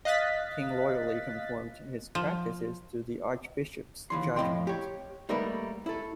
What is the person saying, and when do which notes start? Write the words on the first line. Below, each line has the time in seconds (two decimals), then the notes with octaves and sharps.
King loyally conformed his practices to the archbishop's judgment.
0.05 D#5 F5 F#6 A6 B6
2.15 F3
4.10 D#2 E3 C6
4.36 F2 A2 C#4 D#5 G5 C6
4.67 G4 C#5
5.29 G3 A3 A#3 D#4 A#4 B4
5.86 E4 A4